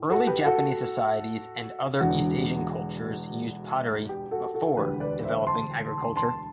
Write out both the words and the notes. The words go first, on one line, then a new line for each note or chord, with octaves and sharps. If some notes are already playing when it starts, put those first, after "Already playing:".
Early Japanese societies and other East Asian cultures used pottery "before" developing agriculture.
Already playing: A2
F#4 A4
G4 B4
F#4 A4
E1 E2 D3 F#4
G4
F#4 A4
F#4 A4
E1 D2 D3 G4 B4
B4 D5
C5 E5
A5 C6
A5 C6